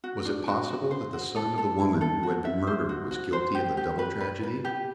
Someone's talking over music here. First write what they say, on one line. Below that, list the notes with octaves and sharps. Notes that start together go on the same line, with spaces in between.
Was it possible that the son of the woman who had been murdered was guilty of the double tragedy?
F#4
D4
F#4
F#4
C5
F#4
A4
A4
E4
A4
F#4
E5
C5
F#4
F#4
C5
G4
G4
B4
B4
B4
G4